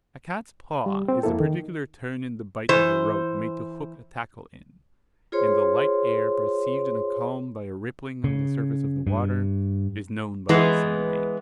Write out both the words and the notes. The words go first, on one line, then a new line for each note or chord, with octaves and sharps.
A Cat's-paw is a particular turn in the bight of a rope made to hook a tackle in; and the light air perceived in a calm by a rippling on the surface of the water, is known by the same name.
G3
C4
F2 A#3 E4 A4
D#3
E3 C5
F4 G#4 C5 C#5 C6
C#3
G2
E3 G#3 B3